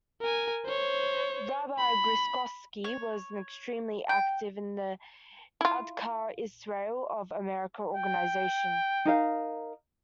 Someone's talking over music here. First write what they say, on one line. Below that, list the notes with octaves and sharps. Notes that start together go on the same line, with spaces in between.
Rabbi Grozovsky was extremely active in the Agudath Israel of America organization.
A#4 G#5
C5 C#5
B5
C#5
G5
E4 F4
G5
D#4 A#4 F5